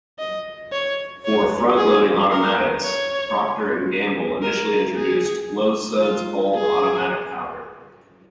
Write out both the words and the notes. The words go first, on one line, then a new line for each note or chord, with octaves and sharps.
For front loading automatics, Procter and Gamble initially introduced "Low Suds Bold Automatic" powder.
D#5
C#5
C#5
G#4
A#4
C#5
A#4
G#4
F4
G#4